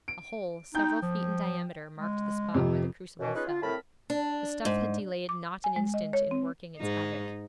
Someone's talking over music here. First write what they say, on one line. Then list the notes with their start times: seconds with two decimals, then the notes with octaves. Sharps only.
A hole several feet in diameter marked the spot where the crucible fell. The stuff had delayed not an instant in working its havoc.
0.08 D7
0.75 D#4 G5 G6
1.02 F3
1.98 G#3
2.54 F2 C3
3.20 F#2 B2 E3
3.35 C#4 D#4 F4 G#4 B4
3.47 F4
3.62 C2 A2 C4 A#4 A5 B5
4.10 D4
4.65 G#2
5.29 D6
5.64 G#5
5.76 G#3
5.94 D#5
6.13 C#5
6.31 C4
6.77 G#2 D#4